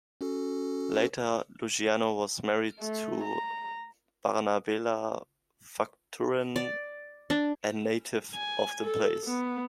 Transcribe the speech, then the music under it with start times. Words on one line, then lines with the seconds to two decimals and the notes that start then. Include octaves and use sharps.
Later, Luciano was married to Bernabela Facturan, a native of the place.
0.21 C#4 F#4 A4
2.80 A3
3.24 A#5
6.56 D5
7.30 D4
8.34 G#5
8.84 A4
9.26 B3